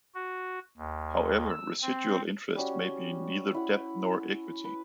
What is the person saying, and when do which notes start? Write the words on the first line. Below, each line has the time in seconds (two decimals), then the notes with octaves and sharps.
However, residual interests may be neither debt nor equity.
0.14 F#4
0.77 D#2
1.50 E6
1.82 C4
2.56 G3 C#4 F#4
3.54 E4 F#5
4.65 B4